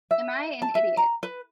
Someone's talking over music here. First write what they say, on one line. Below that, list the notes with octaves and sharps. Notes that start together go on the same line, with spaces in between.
Am I an idiot?
E5
A5
E5
A#5
B4